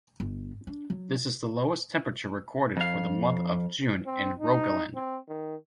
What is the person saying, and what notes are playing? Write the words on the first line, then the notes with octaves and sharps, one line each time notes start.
This is the lowest temperature recorded for the month of June in Rogaland.
G1
D4
F#3
F2 F5
C4
D#4
C4
D#3